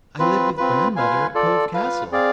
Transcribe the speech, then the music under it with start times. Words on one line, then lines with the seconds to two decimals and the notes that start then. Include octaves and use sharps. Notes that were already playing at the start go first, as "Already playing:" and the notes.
"I lived with grandmother at Cove Castle."
0.19 C4 F4 B4
0.57 C4 F4 B4
0.96 F4 B4 F5 G#5
1.35 F4 A4 D5
1.73 F4 B4 F5
2.12 C4 G#4 D5 F5